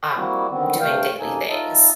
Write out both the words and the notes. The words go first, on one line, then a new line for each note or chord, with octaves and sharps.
um, doing daily things.
G3 A#3 C4 E4 F#4
D3 D#3 B3 C4
G2 C3 A3 F5 G5
F#2 C3 A#3 D#4 A4 G#5
D#4 F4 D#5 E5 A5